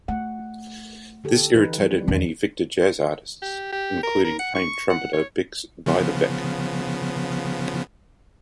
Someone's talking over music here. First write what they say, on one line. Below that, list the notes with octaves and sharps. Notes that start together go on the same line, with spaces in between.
This irritated many Victor jazz artists, including famed trumpeter Bix Beiderbecke.
A3 F#5
D3 G4 A4
E3 D#4 B4
F3 G3
E2 D#3
G4
G4
A#4
A#4
F#5
C#6
F#5
C#5
C#3 F3 B3